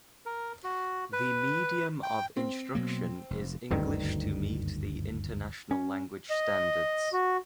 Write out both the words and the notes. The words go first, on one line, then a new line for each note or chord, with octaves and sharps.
The medium of instruction is English to meet the international language standards.
A#4
F#4
B4
G5
C4
B2 F#3 A#3
F1
F#1 D2 G2 D#3
C#4
D#5
F#4